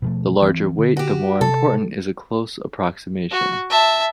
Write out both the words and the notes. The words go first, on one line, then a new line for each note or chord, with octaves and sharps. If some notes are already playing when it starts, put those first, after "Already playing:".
The larger weight, the more important is a close approximation.
B2 F3 A3
E3 C4
D3
F#4 G4
C3 A4
F#4
E5 A5